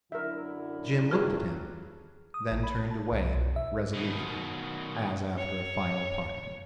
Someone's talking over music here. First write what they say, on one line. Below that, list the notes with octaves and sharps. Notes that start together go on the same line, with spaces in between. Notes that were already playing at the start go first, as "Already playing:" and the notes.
Jim looked at him, then turned away resolutely, as after a final parting.
F#2 D3 E4 A#4 E5
G2 F#3 F4 G#4 F6
D#6
A1
B5
A5
C2
B1
E5
B2 D#3
C#5